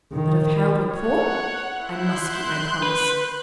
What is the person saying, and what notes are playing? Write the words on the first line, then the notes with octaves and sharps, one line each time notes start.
But, if Harold were poor-- I must keep my promise.
D#3
C#5 F#5
E4 C6 F#6 G6
B4